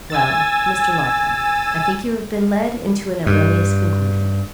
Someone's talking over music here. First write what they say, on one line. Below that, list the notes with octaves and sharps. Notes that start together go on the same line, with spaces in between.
'Well, Mr. Larcom, I think you have been led into an erroneous conclusion.
G#5 E6 A6
G2